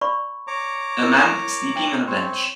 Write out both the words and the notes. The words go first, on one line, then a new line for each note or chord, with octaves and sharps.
A man sleeping on a bench.
D5 B5 C#6
C#5 A#5 D6
E4 A#4
G5
C4 C#5